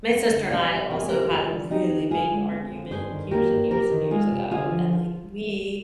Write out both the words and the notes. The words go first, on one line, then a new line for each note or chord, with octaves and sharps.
my sister and I also had a really big argument years and years and years ago, and, like we,
C4
D3
C3 D5 F5
G3
C4 A#4
G#4
C3 G4 A#4
A#4
D3 F4 G#4
G3
C4 D#4 G4
D3
D3 F4 G#4
G#3
C4
D3
G2 G#4 C5
D#3
A#3 G4 A#4
G2
C3 G4 A#4
D#3
G#3 F4 G#4
C3
D3 F4 G#4
F3